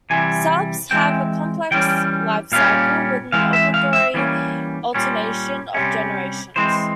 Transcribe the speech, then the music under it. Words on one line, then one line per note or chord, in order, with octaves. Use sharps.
Salps have a complex life cycle, with an obligatory alternation of generations.
C3 E3 G3 G#5
E3 G#3 C4 G5
E3 G3 C#4 G5
A#2 G3 A#3 C#4 F5
E3 G#3 C4 F5
E5
F5
E5
E3 G3 A#3 C#4
A#2 G3 C#4
C3 G3 C#4
E3 G#3 C4 C5